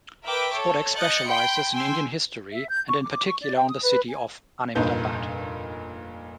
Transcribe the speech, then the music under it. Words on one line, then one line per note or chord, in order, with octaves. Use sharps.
Spodek specializes in Indian history, and in particular on the city of Ahmedabad.
A#4 B4 E5 G5 D6
A4 C#5
D#5 F#6 G6 A6 C#7
G5 B5 C6 G6
G5 G#5 C6 E6
E5
G6
C#6
D6
C#6
D5
G5
D#6
B4
G#5
F1 G2 A#2 D#4 B4 G6